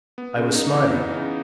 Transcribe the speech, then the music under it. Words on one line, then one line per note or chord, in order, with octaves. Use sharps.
I was smiling.
B3
C#3
D#4
E3
B3
C#3